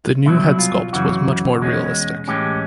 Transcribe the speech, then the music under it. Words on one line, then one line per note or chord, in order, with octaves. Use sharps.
The new head sculpt was much more realistic.
C2 B2 F#3 E4
F4
F#2 C#3 E3 F#4
E2 B2 G#3 C#4
A2 E3 G#3 C#4 G4